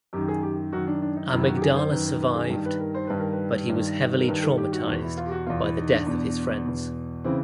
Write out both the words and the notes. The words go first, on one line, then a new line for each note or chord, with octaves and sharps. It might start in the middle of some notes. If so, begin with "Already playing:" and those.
Amygdala survived, but he was heavily traumatized by the death of his friends.
F#2 D#3 G4
G#4
G4
F#2 D#3 F#4
D4
D4
D#4
F#2 D#3 E4
F#4
G4
G#4
C5
F#2 D#3 B4
B4
B4
G#4
G2 D#3
B4
A#4
C5
G2 D#3 B4
A#4
B4
G2 D#3
A#4
G2 D#3 B4
A4
G4
F#4
E2 B2 F#4
E4
F4
G4
F#4
E2 B2 F4
E4
D#4
D4
E2 B2
E2 B2
C#3 E3 C4